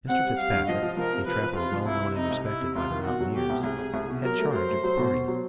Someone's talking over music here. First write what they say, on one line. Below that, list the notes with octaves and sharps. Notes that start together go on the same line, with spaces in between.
Mr. Fitzpatrick, a trapper well known and respected by the mountaineers, had charge of the party.
C4 F#5
G3
G3 F5
G2
F3 D#5
F3
F3 A#4
C3
F3 B4
F3
C3 F4
F3
C2 E4
G3
C3 D#4
C2
G3 E4
C3
C2 F4
D#3
B2 F#4
F#3
B2 G4
C2
C2 G#4
C2
C2
B2
F#3 A#4
A3
F#3 C5
A3
F#3
B2
B2
F#3